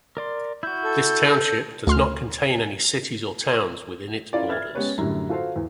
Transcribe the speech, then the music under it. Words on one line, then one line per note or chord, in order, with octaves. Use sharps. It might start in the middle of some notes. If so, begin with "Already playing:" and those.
This township does not contain any cities or towns within its borders.
A#4 D5 C6
E4 F#4 G6
A4
D2 C6 F6
C#4 E4 F4 A#4 C#5 D5
B4 E5 F6 G#6 A6
G#3 B3 C#4 G4 B4 C#5
F#2 A2 D3 G3 A#5
F4 F#4 A4 C5 F5
E2